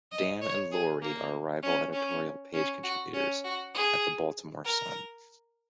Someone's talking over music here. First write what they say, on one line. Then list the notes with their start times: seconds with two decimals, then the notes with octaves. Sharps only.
Dan and Lorie are rival editorial page contributors at the "Baltimore Sun".
0.12 D#5
0.42 C#5
0.72 G#4
1.02 A#3
1.63 C#4
1.93 C#4
2.53 C#4
2.83 F#4
3.13 C#4
3.44 F#4
3.74 G#4
4.64 A#4